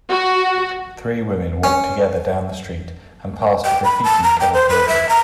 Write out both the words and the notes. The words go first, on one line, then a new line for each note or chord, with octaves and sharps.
Three women walk together down the street and past a graffiti covered building.
F#4
C#4
G5
B5
A5
A#5
G5
C5
B4
E5
A#5